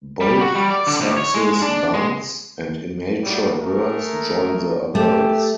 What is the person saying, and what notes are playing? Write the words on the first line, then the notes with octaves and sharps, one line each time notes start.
Both sexes dance, and immature birds join the adults.
G3
F#4
G3
D5
D3
D2
C#5
G#3
D4
G#3
A2 F#3 G3
A3 G#4 A#4
A3 G4